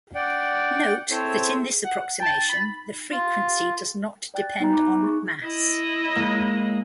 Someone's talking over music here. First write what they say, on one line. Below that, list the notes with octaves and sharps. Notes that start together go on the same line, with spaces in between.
Note that, in this approximation, the frequency does not depend on mass.
D5 F#5 G5
C4 E4 A4 C5 C#5
F#5
G5 A5 A6
B5
F4
D5 G5 F#6 A6
B3 D#4 F#4 E5 G#5 A#5
B5 D6 F#6
D#4 G#4 C#6
E4 D#5
G#3 A#3